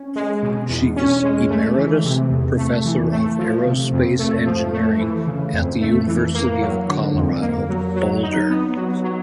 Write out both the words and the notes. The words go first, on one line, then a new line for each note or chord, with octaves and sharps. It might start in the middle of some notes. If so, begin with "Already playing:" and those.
She is Emeritus Professor of Aerospace Engineering at the University of Colorado Boulder.
Already playing: C#4
G#3
B2
E2
C#4
G#3
A3
E3
C3
E2
A3
E3
A3
F3
C3
F2
A3
F3
A3
E3
C#3
F2
A3
E3
A#3
F#3
D3
F2
A#3
F#3
F#3
D#4
B3
F#3
F#3